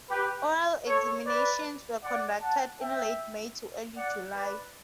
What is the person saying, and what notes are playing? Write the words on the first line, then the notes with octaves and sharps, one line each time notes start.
Oral examinations were conducted in late May to early July.
G4 B4
A4 C#5
B4 D5
D5 F#5
F#5 A5
E5 G5
D5 F#5
B4 D5